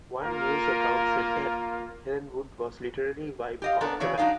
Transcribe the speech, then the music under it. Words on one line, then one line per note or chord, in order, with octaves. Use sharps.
One news account said that Helenwood was literally wiped off the map.
A#3 F4 A#4
G4 D#5 F5
B3 C#4 D4 A4 A#4
C#3 E3 C#5 D5
F#3 D4 D#4 D5 F5